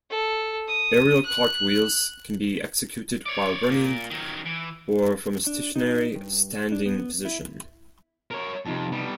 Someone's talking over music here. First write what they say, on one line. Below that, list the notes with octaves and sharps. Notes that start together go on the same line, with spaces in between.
Aerial cartwheels can be executed while running or from a stationary, standing position.
A4
D#6
F#6
C#5 D5
A#2
D#3 F#3
E3
D4
D#4
G2
D4
B3
E4
A#4 C#5
F2 C3 D#4 A5
G3 B3